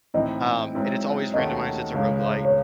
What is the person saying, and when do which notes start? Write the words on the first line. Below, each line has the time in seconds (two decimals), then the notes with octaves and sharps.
um, and it's always randomized, it's a roguelite,
0.14 A2 E3 C4 D#4 D#5
0.74 G#2 F#3 C4 E4
1.34 D#2 D#3 A3 C#4 F#4 D#5
1.94 C#2 C#3 G#3 C#4
2.45 C#5